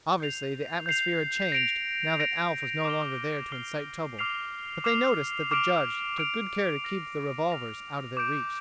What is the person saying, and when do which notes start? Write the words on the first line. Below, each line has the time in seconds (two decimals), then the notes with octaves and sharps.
Obviously, the atmosphere had changed, now that Alf was no longer there to incite trouble, but they noticed that the Judge took good care to keep the revolvers out of their reach.
0.20 G6 C7 F7
0.86 G6 C7 F7
1.52 A#6 D7 F7
2.20 A#6 D7 F7
2.85 D6 F6 C7 G7
3.52 D6 F6 C7 G7
4.19 D6 F6 C7 F7
4.84 D6 F6 C7 F7
5.51 D6 F6 D7 F7
6.18 D6 F6 D7 F7
6.84 F6 A#6 F7
7.50 F6 A#6 F7
8.17 D6 G6 D7